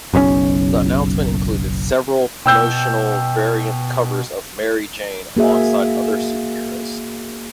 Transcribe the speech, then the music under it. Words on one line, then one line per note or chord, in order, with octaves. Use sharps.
The announcement included several promotional variant covers of Mary Jane alongside other superheroes.
F#1 B1 B2 C#4
B2 G5 E6 G6
A#3 F#4 G#4 E5